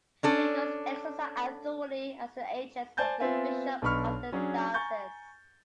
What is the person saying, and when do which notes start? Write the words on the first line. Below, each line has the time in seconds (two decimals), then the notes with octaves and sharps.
Vicars exercise authority as the agents of the bishop of the diocese.
0.23 C#4 D4 A4
2.97 C5 D5 G#5 A5 G6 A6
3.20 B3 C4 F4 E5 G#5
3.82 B1 B2 D4 B5 C#6 F6
4.32 F#3 C#4 D4 G#4
4.74 G#5 A#5 C#6 G6 A6